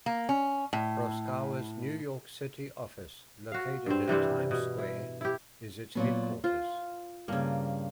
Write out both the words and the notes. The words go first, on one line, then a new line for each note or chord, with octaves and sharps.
Proskauer's New York City office, located in Times Square, is its headquarters.
A#3
C#4
A2
F#4 F5
G2 C4
C3 E3 G3 C4
B2
E4
E4 G4
A#2 F#3 B3
F4 C5
G2 C#3 A#3